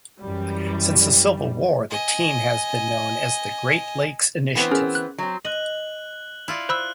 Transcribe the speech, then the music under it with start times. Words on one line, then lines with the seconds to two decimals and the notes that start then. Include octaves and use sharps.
Since the Civil War, the team has been known as the Great Lakes Initiative.
0.20 F#2 E3 F#3 G3
1.90 D#5 G#5
4.55 E3 B3 C4
4.71 C#4 G#4 A#4
4.95 F#6
5.18 F#3 C4
5.45 D#5 F#6 F#7
6.48 E4 F4 D5
6.69 C5 B5 E6 F#6